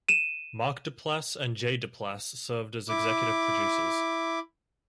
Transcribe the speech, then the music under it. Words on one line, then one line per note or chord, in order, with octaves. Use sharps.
Mark Duplass and Jay Duplass served as executive producers.
D#7 E7
E4 D6